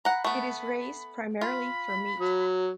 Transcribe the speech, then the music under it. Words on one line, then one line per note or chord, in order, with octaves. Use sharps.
It is raised primarily for meat.
F#5 A#5 B5
A3 B3
F4 B5
F#3